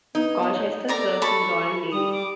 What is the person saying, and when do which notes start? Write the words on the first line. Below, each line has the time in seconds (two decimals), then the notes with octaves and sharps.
Colchester served in the Royal Navy.
0.15 B3 D#4
0.43 C#5
0.89 A4 A#4 D5 A#5
1.22 A5 B5 C#6
1.92 G3 D#6
2.12 D6